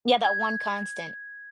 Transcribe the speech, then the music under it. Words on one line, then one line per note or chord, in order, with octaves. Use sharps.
Yeah, that one constant.
G#6